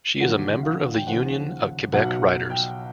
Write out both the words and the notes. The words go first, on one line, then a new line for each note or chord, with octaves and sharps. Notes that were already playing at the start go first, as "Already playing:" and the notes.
She is a member of the Union of Quebec Writers.
F1 D#2 D3 F#3 F#5
F5
G5
D#2 C#3 F3 F#5
B1 B2 F#3 F#5
F#5
G5